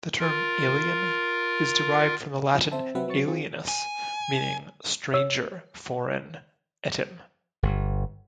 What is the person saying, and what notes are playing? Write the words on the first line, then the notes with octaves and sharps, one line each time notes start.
The term "Alien" is derived from the Latin "alienus", meaning stranger, foreign, etym.
F4 A#4
F3
C4 C5 E5 A5
C3 F#3 C4 B4 E5 F#5
F#3 C4 C#6 A6 C#7
C4 F4 G#4
G#5
C#5 E6
G1